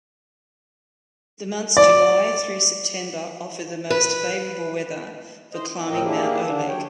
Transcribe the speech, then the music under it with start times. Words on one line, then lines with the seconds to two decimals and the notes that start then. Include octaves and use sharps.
The months July through September offer the most favorable weather for climbing Mount Oleg.
1.77 D5
3.90 B4
5.53 E3 C5 D#5
5.72 B3
5.88 D2 A2 C4 A#4 D#5 G5
6.03 A#3 D4 E4 G4 G#4
6.45 D3 D4
6.68 F#3 C#5 G5